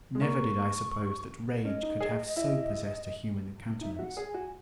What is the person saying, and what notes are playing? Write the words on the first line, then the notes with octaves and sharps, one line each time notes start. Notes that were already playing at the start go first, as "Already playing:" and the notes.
Never did I suppose that rage could have so possessed a human countenance.
G#3
A#3 C#6
C#4 D#5
D#4
G#4
E4
D#4 E5
F#4 E5
F#5
G#4
G#5
F#4